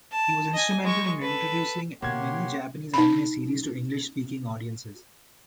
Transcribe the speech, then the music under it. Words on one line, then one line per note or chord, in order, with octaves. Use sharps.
He was instrumental in introducing many Japanese anime series to English-speaking audiences.
A5
D#5 G#5
G#3 C#6
A4 B4
B2 D3 A#3 G4 C#5 F#5 C6 G#6
D#4 B5